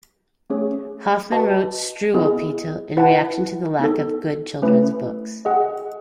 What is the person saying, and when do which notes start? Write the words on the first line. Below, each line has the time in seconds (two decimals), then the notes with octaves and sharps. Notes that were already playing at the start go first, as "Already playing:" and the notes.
Hoffmann wrote "Struwwelpeter" in reaction to the lack of good children's books.
0.50 A3 C#4 G#4 C#5
1.32 F#4 B4 D#5 A5
2.14 B3 E4 G#4 D#5
2.97 E4 B4 F#5 A5
3.79 B3 D#4 A4
4.62 A3 C#4 E4 B4
5.45 G#4 D#5 F#5